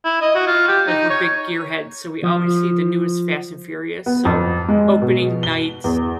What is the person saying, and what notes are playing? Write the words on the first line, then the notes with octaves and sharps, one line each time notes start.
like we're big gear heads, so, we always see the newest Fast& Furious. So, opening night,
E4
D#5
F#4
F4
G4
D#4
C#5
F3
B3
F2
G#3
B2
G7
E2